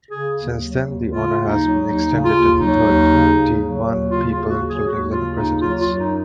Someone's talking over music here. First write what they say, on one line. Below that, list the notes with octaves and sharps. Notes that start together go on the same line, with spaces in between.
Since then, the honor has been extended to thirty-one people, including eleven Presidents.
C#3 G#4
D#2
F#3
D#2
C#3 F4
D#2
D#4
F#3
D#2 D#4
C#3
F4
D#2
F#3 D#4
D#2
C#3
D#2
F#3
D#2
C#3 F4
F4
D#2
F#4
F#3
G#4
D#2 F#4
C#3 F4
D#2 D#4
F#3 F4
F4
F#2
D#4